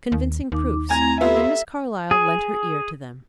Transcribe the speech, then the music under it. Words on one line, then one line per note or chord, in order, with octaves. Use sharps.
Convincing proofs; and Miss Carlyle lent her ear to them.
D#2
D#2 D#4 D6
A3 C4 E4 G#5 A#5 G#6
B3 F4 G4 A4 E5 B5 E6
G#4